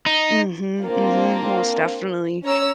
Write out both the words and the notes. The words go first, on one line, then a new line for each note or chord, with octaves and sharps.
Mhm, mhm, most definitely,
D#4
A#3 C4 D4 F4
C#4 C#5 A#5 E6